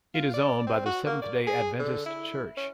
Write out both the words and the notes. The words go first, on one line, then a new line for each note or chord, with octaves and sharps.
It is owned by the Seventh-day Adventist Church.
F4
D5
C4
F#4
A#3
D5
G#4
D3
E4
C#4